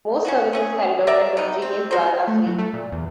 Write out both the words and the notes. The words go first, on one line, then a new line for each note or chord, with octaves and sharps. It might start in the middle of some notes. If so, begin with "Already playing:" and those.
Most services carried out at the Genius Bar are free.
C#4 F4 F#4
A3 C#4 G#4
F#3 A#4 D5 E5
C3 B3 D#4
C4
C#4 F#4 A#4 C5
A3
F#3
A3
A#2
E2